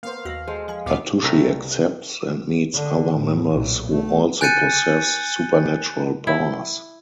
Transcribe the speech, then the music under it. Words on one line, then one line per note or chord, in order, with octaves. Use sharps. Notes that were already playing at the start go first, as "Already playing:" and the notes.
Atsushi accepts and meets other members who also possess supernatural powers.
A#3 B3 C5 F5
D#2 F#4 A#6
G#3 A4 C5
F3 F5 G#5
D2 A#2 B3 F5 D6
C2 A3 E5 A#5
D3
A2
B1 A#2
A3
G#5 F#6 G6 A6 C#7 D#7
E4